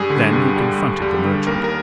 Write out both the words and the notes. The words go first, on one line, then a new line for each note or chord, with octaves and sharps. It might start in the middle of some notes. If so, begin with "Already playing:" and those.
Then he confronted the merchant.
Already playing: G2 G3 G#4
D3
G2
G3
G3
G3
D3
D#2 A#4
A#4